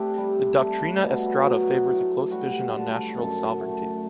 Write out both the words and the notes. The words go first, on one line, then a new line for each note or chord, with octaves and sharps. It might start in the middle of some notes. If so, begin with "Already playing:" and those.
The Doctrina Estrada favors a close vision on national sovereignty.
Already playing: A3 C4 D4 G4
G3
A3
B2
F#3
A2
G3 F#4
D3
F#2 A4
A3